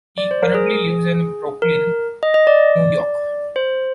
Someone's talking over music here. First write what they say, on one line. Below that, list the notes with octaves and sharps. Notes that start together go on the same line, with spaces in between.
He currently lives in Brooklyn, New York.
D5
C5
A#4
G#4
A#4
D#5
D#5
D5
C5